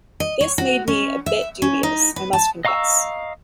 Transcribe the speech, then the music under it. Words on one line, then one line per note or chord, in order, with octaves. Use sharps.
This made me a bit dubious, I must confess.
D#5
C#5
F#4
C#4
E5
C#4
D#4
B4
A5
D#5 F5 A#5 C#6 E6